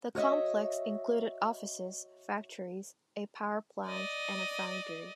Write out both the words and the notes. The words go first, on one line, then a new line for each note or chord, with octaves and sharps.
The complex included offices, factories, a power plant and a foundry.
F#4 C#5 D#5 E5
D5 D#5